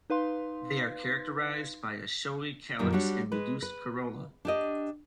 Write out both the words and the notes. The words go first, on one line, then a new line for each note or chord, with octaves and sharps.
They are characterized by a showy calyx and reduced corolla.
D#4 B4 F5 C6
F#2 A#2 D3 D#3 G3
G3 D4 F#4 C#5
G#3 B4
B4
D4 G4 D#5